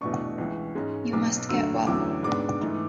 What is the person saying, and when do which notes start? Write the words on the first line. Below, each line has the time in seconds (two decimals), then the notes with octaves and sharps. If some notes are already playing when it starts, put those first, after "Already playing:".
You must get well.
0.01 E2 B2 A3 D4 C#6
0.38 C#2 C#3 E3
0.75 G#2 G#3 C#4
1.12 B1 B2 F#3 D6
1.49 D2 D3 F#3 A3 E6
1.86 E2 D3 F#3 A3 C#4 D6
2.23 G#2 G#3 B3 D4 D6
2.61 G#2 E3 A3